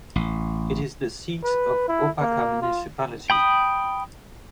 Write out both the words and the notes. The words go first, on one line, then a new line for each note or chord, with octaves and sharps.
It is the seat of Opaka Municipality.
A1
B4
E4
A#3
F4
G5 B5 D#6